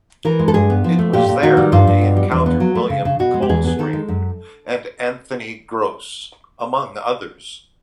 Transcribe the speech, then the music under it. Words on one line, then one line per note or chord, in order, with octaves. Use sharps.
It was there he encountered William Coldstream and Anthony Gross, among others.
E3 A#4
G#3
A4
G2 G#4
B3
F3
A3
A#2 G4
A#2
D#3 F#4
G3
G2 F4
G2
B2
G3
E2
B3
F#3
A3
C#3
C#3
B2 F#4
G#3
G4
E2 G#4
B3 G#4
D#3 A4
G#3
F#2